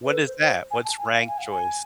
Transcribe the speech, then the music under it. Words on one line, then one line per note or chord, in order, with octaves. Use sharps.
What is that? What's "rank choice"?
B4
A4
C5
C5
G#5
A5
G#5
F5
G#5
F5
G#5